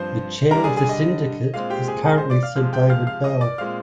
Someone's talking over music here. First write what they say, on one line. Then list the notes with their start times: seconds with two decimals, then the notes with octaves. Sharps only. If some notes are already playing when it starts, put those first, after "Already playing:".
The Chair of the Syndicate is currently Sir David Bell.
Already playing: G2 F3 C4 C5 C6
0.51 D3 G3 D4 A#4 A#5
0.64 G#4 G#5
0.76 G#4 G#5
0.89 D#5
1.53 A#2 G#3 C4 F5
1.70 G4 G5
1.88 G#4 G#5
2.05 G#4 G#5
2.17 C5 C6
2.30 D5 D6
2.43 F5 F6
2.56 C3 F3 G#3 F5 F6
2.73 G5 G6
2.90 F5 F6
3.07 F5 F6
3.24 D#5 D#6
3.41 D5 D6
3.58 A#2 G#3 C4 F5 F6